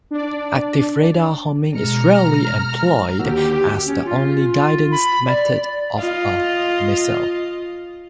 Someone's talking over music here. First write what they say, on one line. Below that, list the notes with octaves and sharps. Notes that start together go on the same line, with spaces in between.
Active radar homing is rarely employed as the only guidance method of a missile.
D4 D5
B2 G#3 A#5 F6 C#7
D#2 D3 F#4 G4 E6
C#4
F4
B5
D5
F4 D#5